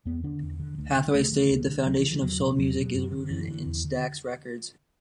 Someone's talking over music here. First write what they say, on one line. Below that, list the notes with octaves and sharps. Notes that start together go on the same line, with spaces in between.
Hathaway stated, The foundation of soul music is rooted in Stax Records.
E2 B3
D3 D4
E2
D3
D2
D3
D2 A3
D3
D2
D3
D2 F#3
E3
D3
E3
E2 F#3
B2
E2 F#3
B2
F#2
D3
F#2 E3
D3
E2
D3